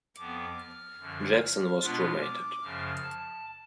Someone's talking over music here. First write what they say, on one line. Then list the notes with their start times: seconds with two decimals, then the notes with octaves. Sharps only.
Jackson was cremated.
0.16 F2 F3 B3 D6
0.58 F6
0.99 F#2 D3 F3
1.39 F6
1.80 B2 G#3 B3 D4 F4 F6
2.21 D6
2.62 F#2 C#3 F3 F6
3.02 A5